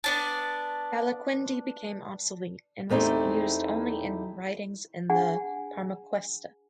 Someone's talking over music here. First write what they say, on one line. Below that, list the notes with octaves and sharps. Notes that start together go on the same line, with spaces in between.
"Calaquendi" became obsolete, and was used only in writings in the Parmaquesta.
B3 D4 A5
E2 A3 C4 D#4 E4 G4
D4 G#4 F#5 G#5